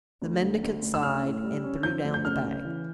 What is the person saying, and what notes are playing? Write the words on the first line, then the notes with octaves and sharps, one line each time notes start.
The mendicant sighed and threw down the bag.
D2
D2
D2
D2
E6
C#4 F6
A2
G3
C#4
F3 G6
D2
G6
C#3 F6
C#3
E3